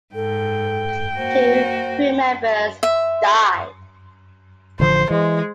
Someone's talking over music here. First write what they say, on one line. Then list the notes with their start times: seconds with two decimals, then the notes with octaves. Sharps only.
Two crewmembers died.
0.15 G#2 A4 G5
1.17 A#3 F#4 C5
2.83 E5
4.80 A1 D3 F3 C5
5.11 E3 G#3